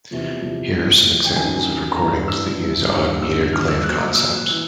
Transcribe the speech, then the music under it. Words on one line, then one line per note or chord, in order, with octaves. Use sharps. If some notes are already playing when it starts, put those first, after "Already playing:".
Here are some examples of recordings that use odd meter clave concepts.
E2 C3 F3
E2 C3 F3
A2 F3
A2 F3
G5
F#2 D#3 F#3 G#5
F#2 D#3 F#3
G2 E3 A#5
G2 E3 E6
G2 E3
G2 E3
G2 D3 F3 E6
G2 D3 F3 F6
E6
A#2 F#3 F#6
A#2 F#3 E6
E3